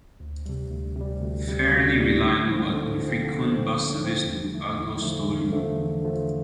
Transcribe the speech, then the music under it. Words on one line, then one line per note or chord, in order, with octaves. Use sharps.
Fairly reliable but infrequent bus service to Argostoli.
D2
C3 G3
D2
C3
G3
D2
C3 G3
D2
C3 G3
D3
F3 C4
D3
F3 C4
D3
F3 C4
D3
F3
C4
E2
D3 F3 A3
E2
D3 F3 A3
E2
D3 F3 A3
E2
D3 F3 A3